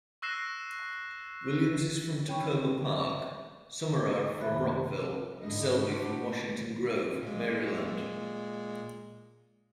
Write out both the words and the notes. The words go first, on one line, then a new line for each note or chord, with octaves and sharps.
Williams is from Takoma Park, Summerour from Rockville, and Selby from Washington Grove, Maryland.
C#6 E6 F#6 A#6 C7 E7
C#5 G5 B5 C#6
F#2 C3 D#3 E5 B5 F#6
G#2 D3 G#3 D#4 E4 D#5
D4 F#4 G4 B4 C5
A#2 G#3